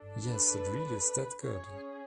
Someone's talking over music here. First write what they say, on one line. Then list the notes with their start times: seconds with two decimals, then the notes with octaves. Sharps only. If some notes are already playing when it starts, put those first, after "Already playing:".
Yes, it really is that good.
Already playing: D4 A4
0.27 B4
1.43 C#4 G#4 C#5